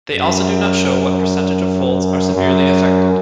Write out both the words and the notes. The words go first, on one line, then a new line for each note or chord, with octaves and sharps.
They also do not show what percentage of Folds are severely affected.
F#2
F#2